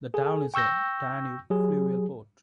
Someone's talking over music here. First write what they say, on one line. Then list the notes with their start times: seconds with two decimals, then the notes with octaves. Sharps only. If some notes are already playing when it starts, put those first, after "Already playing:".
The town is a Danube fluvial port.
0.14 G#4 A4 G#5
0.54 G5 C#6 E6 G6 A#6
1.50 F#3 G4 G#4